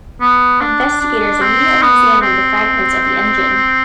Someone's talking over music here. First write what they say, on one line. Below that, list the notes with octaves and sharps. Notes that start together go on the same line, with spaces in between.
Investigators immediately examined the fragments of the engine.
B3
D4
D4
C4
B3
C4